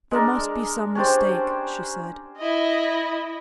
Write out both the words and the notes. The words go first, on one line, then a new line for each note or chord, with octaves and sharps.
"There must be some mistake," she said.
G#3 D4 A#4
C#4 D4 G4 C5
E4 D#5